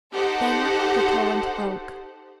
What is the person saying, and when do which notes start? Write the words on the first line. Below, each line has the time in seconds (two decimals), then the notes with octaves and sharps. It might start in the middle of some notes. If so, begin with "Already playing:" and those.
Then the torrent broke.
0.14 D#4 G4 A4 C5 F#5